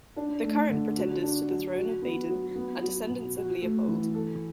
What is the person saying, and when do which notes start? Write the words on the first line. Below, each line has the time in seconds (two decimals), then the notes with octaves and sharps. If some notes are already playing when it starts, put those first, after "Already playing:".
The current pretenders to the throne of Baden are descendants of Leopold.
0.16 D4
0.43 A3
0.69 D3
0.97 F#4
1.23 D4
1.50 F#3
1.76 F#4
2.02 B3
2.29 F#3
2.55 B3
2.82 F#3
3.08 B2
3.35 F#4
3.61 A3
3.88 E3
4.15 A4